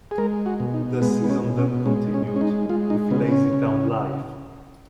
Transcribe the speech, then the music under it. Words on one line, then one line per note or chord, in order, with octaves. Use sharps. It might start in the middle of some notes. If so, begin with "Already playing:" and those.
The Season then continued, with LazyTown Live!
G#4
G#3 A#4
F#4
B2
D#4
G#3 B3
B3
C#4
B2
C#4
G#3 C#4
C#4
G#3
C#4
D#4
G#3 F4
D#4
C#3 B3
B3
C#4
C#3